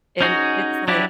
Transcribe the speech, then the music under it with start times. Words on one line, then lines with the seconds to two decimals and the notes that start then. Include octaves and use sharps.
and it's, like,
0.21 C#4 D#4 F#4 G#4
0.88 F#3 D4 E4 G4